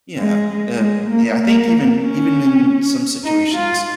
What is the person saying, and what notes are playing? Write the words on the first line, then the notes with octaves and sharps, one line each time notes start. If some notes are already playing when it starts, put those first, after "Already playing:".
Yeah, uh, yeah, I think even even in some situations,
G#3
G#3
A#3
A#3
C#4
D#4
F4